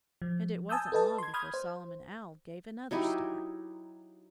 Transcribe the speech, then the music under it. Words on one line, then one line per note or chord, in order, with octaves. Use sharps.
And it wasn't long before Solomon Owl gave another start.
F3
G#5 A5 D#6 E6 G6
A4 B4 D#5 A5
C6 G#6
B5 D#6 F6 G6 G#6
C5
F#3 D#4 E4 G4